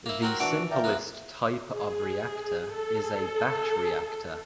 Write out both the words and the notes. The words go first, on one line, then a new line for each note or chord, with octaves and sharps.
The simplest type of reactor is a batch reactor.
A#3 E4
F#3 C4 F#4 A#4
E3 D4 F#4 F#5 D7
A#4 D5 E5 F5 G5
F#2 B3 F#6
G#4
A4